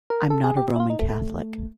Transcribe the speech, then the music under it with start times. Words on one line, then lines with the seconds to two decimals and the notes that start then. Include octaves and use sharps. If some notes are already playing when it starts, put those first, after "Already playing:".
I'm not a Roman Catholic.
0.10 A#4
0.30 A4
0.44 G#4
0.57 G4
0.76 E4
0.80 F4
0.90 D#4
0.99 A3
1.10 A3